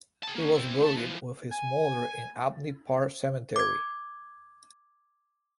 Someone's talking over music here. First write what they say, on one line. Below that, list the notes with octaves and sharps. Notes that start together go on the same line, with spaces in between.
He was buried with his mother in Abney Park Cemetery.
G#4 A5
A#3 C#4
C4 E4
A3 A5
E3 F3
G#5
D6 G#6